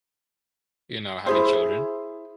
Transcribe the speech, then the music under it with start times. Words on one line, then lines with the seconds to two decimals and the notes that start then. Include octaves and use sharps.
you know, having children.
1.26 E4 G#4 C5